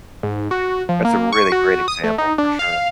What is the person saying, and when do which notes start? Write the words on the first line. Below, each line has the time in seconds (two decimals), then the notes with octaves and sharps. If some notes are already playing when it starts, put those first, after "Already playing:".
That's a really great example for sure.
0.23 G#2
0.51 F#4
0.89 F3
1.05 A#3
1.33 C#6
1.52 F#4
1.88 D#6
2.04 A3
2.18 D#4
2.38 D4
2.59 F5